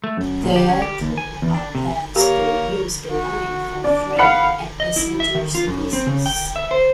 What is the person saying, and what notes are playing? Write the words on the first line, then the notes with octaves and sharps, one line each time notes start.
There though are plans to reuse the line for freight and passenger services.
A3
F#2
A#2
G4
C#4
G4
D#2
G#5
E2
D4
C3
A#3 G4 A#4 C#5
F#4
D4 D5
F5 F#5 B5 C#7
D#5
E4
E5
D#3
F4
F#2
C4
C#3
G5
E5
C5